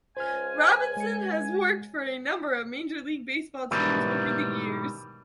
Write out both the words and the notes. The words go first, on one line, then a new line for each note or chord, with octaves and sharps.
Robinson has worked for a number of Major League Baseball teams over the years.
C#2 C5 G#5 F6
G#3 C#7
G#2 B2 D#3 E3 F#3 G3